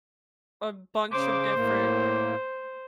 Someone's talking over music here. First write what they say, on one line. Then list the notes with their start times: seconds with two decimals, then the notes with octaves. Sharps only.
a bunch of different
1.12 C#3 C5 D6
1.55 A2 A#3